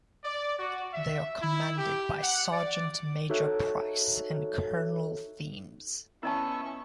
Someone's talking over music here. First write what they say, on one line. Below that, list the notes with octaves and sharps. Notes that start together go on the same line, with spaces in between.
They are commanded by Sergeant Major Price and Colonel Themes.
D5
F#4
E5
E4
G4
F#5
D5
D#4 F#4 A4 C#5 E5 F#6
B3 C#4 E4 D#5 E5 A5 C#6